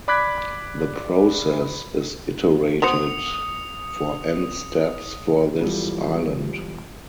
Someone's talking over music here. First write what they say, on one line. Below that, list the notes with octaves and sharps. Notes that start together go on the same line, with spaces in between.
The process is iterated for n steps for this island.
D5 B5 D6 F#6 G#6 B6
B3 F#4 C5 D#6 C#7 F7
E1 E2 F3 G3 E4 A4